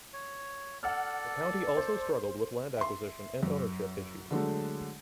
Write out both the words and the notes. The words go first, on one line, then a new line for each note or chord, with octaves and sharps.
The county also struggled with land acquisition and ownership issues.
C#5
A4 D5 F#5 E6 F6
C5
E5 C6
F#2
D3 F#3 G#3 A3